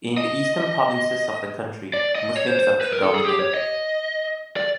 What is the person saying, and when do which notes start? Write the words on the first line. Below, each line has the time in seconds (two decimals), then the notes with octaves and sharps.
In the eastern provinces of the country Muslims are predominant.
0.17 D#5
1.94 D5
2.15 D#5
2.37 C#5
2.48 C5
2.59 C5
2.81 B4
2.93 A#4
3.03 A4
3.15 G#4
3.25 G4
3.40 C#5
3.54 D#5
4.56 D5